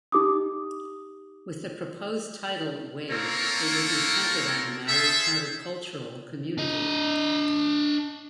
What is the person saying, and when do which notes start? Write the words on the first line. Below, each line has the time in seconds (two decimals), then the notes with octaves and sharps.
With the proposed title "Wave", it would be centered on the Maui countercultural community.
0.12 D#4 G4 D6 D#6
3.10 A3 A#3 C4 A4 A#4 C#5
4.86 F4 G#4 A4 C5 E5
6.58 D4 D#5